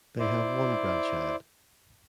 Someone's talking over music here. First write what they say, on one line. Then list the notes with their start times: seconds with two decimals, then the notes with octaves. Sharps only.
They have one grandchild.
0.19 E4 C5 D5